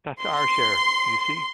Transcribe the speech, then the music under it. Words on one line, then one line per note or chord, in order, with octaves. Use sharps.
That's our share, do you see?
C6